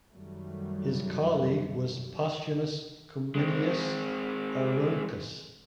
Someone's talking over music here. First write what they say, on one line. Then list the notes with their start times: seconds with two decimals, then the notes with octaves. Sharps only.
His colleague was Postumus Cominius Auruncus.
0.11 F#2 D#3 F#3 G3 A3
3.35 G#3 C4